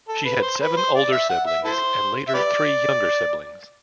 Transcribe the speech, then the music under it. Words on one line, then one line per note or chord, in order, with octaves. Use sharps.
She had seven older siblings and later three younger siblings.
A4
B4
C5
B4
C5
D5
E5
F#5
E5
E4 A4 C5
E5
G4 B4 D5